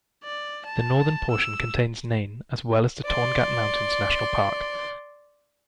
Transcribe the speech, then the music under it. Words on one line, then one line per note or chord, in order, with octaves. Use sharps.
The northern portion contains Nain as well as the Torngat Mountains National Park.
D5
A5
E6
D5 C6